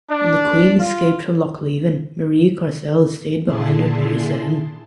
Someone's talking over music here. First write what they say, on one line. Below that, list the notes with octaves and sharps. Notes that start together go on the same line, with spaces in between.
When the queen escaped from Lochleven Marie Courcelles stayed behind with Mary Seton.
D4
F4
A#2 D3 E4 G#4 A5 C6